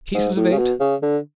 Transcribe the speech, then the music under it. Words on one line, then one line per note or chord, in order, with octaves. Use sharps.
Pieces of eight!
G#2
A2
C#3
B2
C#3
D3